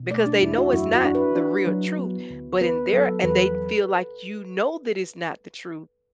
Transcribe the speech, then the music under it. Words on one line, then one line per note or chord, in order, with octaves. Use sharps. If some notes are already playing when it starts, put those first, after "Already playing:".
because they know it's not the real truth, but in their and they feel like you know that it's not the truth,
Already playing: B2
A3 D5
D4
E2 E4
F#4
F#2 E4
F#4
D4
B4
D4
F#3
B3
D2
B3 B4
F#3 A4
E2 B4